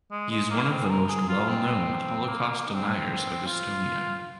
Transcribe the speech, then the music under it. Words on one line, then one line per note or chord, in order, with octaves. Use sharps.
He is one of the most well known Holocaust deniers of Estonia.
G#3
G#3
A#3
C4
G#4
A#4
G#4
F4
C4
A#3
A#3
D#4
C4
A#3
C4
F4